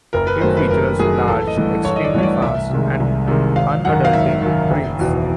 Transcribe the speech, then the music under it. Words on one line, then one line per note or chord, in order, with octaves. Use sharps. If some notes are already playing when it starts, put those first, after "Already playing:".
It features large, extremely fast, and undulating greens.
F#1 A#4
B4
F#2 D#3 F#3 A3 C5
B4
F#1 A#4
F#2 D#3 F#3 A3 G#4
A1 A4
D#5
G2 E3 A3
A1 C#5
D#5
D5
G2 E3 A3 C#5
D5
C2 E5
C3 D#3 G#3
C2
C3 D#3 G#3
G#1 F5
F#2 D#3 F#5
F5
G#1 E5
F#2 D#3
F#1
E2 B2